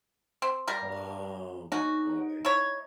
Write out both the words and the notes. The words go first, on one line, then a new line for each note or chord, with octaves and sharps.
Oh, boy.
C4
G3 A#4
C#4 D#4 F#4
E4 C#5